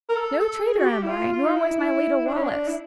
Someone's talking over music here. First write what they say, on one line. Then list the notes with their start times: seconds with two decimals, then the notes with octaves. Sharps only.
No traitor am I, nor was my leader Wallace.
0.09 A#4
0.16 A4
0.40 A4
0.63 G#4
0.78 F#4
0.86 G4
1.03 E4
1.09 F4
1.33 F4
1.45 D#4
1.56 E4
1.79 E4
2.26 D4
2.35 C#4
2.43 D4
2.68 E4